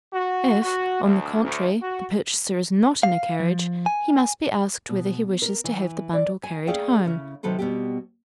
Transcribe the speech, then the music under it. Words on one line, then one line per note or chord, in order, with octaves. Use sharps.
If, on the contrary, the purchaser is not in a carriage, he must be asked whether he wishes to have the bundle carried home.
F#4
F#4
D2
D2
F#4
F5
F3
G#5
B2
A#4
E3
D5
G#5
A3 C#4 G#4 D5 F5 G5
C#3 C#4 E4
C3 D#3 F#3 A4 B4 C5
B2 G3 B3 C4 G4